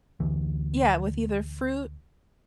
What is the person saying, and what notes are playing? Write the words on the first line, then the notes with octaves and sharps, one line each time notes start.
Yeah, with either fruit,
D2 E3